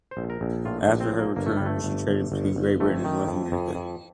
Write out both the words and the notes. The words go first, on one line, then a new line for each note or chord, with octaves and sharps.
After her return she traded between Great Britain and North America.
C5
A#1
A#4
A#1
A2 F4
D4
A#1
C4
F3
A#3
G1 A#3
A3
G1 G3
A3
G1
G1
G1
G1
F2 A3
D#3
F2
F2
F2